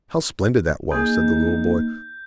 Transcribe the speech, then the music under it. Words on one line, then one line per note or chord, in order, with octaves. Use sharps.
"How splendid that was!" said the little boy.
A#3 D#4 G#4 G6